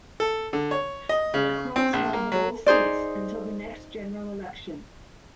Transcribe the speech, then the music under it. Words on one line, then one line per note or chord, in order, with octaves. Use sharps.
But Cross held both seats until the next general election.
A4
D3
C#5
D#5
C#3
C4
A#1
A#3
F#3
D#4 G#4 C5 D5